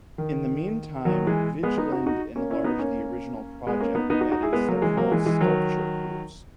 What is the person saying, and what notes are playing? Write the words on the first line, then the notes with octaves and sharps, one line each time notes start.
In the meantime Vigeland enlarged the original project, adding several sculpture groups.
D#3
D#3 F#3
E3 G#3
G#3 B3
B3 D#4
D#4 F#4
D#4 F#4
A#3 C#4
C#4 E4
B3 D#4
A#3 C#4
G#3 B3
A#3 C#4
B3 D#4
B3 D#4
D#4 F#4
D#4 F#4
E4 G#4
G#3 B3
F#3 A#3
E3 G#3
F#3 A#3
E3 G#3
E3 G#3
D#3 F#3